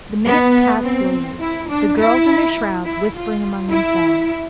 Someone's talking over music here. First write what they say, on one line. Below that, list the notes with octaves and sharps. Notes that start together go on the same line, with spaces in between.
The minutes passed slowly, the girls in their shrouds whispering among themselves.
B3
C4
E4
D4
E4
E4
F4
E4